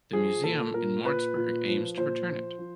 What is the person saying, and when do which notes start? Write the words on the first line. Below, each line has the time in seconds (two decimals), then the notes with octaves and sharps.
The museum in Moritzburg aims to return it.
0.13 F3 G#4
0.44 A#2 A4
0.74 A#2 A#4
1.05 A#2 B4
1.36 A#2
1.67 F3
1.97 A#2 C5
2.28 F3
2.59 F3